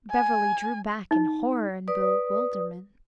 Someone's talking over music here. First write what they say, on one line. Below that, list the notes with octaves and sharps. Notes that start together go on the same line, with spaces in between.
Beverly drew back in horror and bewilderment.
G#5
D#4
B4 D5 D#6